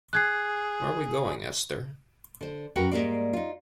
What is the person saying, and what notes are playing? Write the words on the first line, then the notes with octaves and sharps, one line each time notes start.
Where are we going, Esther?
G#4 F#6 G#6 C7
D3 C5
F#2 F#4 A#4 B4 F#5 G5
G#2 C3 G3 A#3 C5 D5
D#4 F4